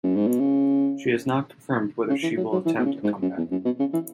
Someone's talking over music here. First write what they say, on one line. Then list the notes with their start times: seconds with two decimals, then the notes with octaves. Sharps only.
She has not confirmed whether she will attempt a comeback.
0.04 F#2
0.16 G#2
0.27 B2
0.40 C#3
2.09 C#3
2.23 E3
2.37 F#3
2.52 F#3
2.66 E3
2.79 B2
2.85 C#3
3.04 G#2
3.22 F#2
3.37 E2
3.51 F#2
3.65 B2
3.80 C#3
3.93 E3